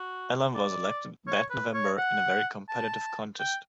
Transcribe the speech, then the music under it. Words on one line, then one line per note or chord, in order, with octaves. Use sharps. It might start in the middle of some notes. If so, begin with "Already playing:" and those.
Alan was elected that November in a very competitive contest.
Already playing: F#4
D5
C#5
B4
C#5
F#5
A5
G5